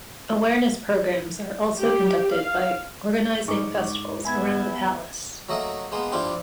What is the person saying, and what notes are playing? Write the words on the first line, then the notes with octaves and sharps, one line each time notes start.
Awareness programs are also conducted by organizing festivals around the palace.
G4
F5
G#2 C#6 D6
B3 E5 G#5 B5 G#6
F#3 A3 A#3 D#5 E5
G#3 A#3 B3 C6
G2 F3 D4 E4 F4 G4